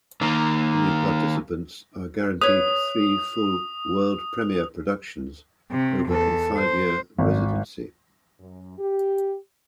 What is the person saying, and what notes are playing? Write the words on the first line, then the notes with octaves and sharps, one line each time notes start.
The participants are guaranteed three full world-premiere productions over a five-year residency.
D#3 A#3
B4 C#5 D#6
C3
E2 A4
C5
G#1
F#2
G4